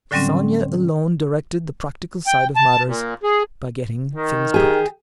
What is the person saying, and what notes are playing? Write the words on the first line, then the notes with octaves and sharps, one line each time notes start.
Sonya alone directed the practical side of matters by getting things packed.
A2 D3 F#3 G3 C4 C#4
G5
A5
A#2
G#4
D#3
G4 G#4